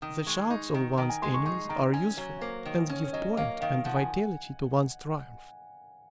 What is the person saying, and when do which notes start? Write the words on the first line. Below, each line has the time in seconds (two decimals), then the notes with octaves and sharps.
The shouts of one's enemies are useful and give point and vitality to one's triumph.
0.02 D#3 D#6
0.27 G#3 C#6
0.50 D#4 C#6
0.74 D#3 A#5
0.98 D#3 A#5
1.10 G#5
1.22 G#3 C6
1.34 C#6
1.45 D#4 C#6
1.69 D#3 A#5
1.93 C#4 G#5
2.17 F#3 C#5
2.41 A#3 C5
2.65 D#3
2.89 C#4 C#5
3.04 C#5
3.13 F#3 D#5
3.37 A#3 F5
3.61 D#3 F5
3.85 F3 F#5
3.96 G#5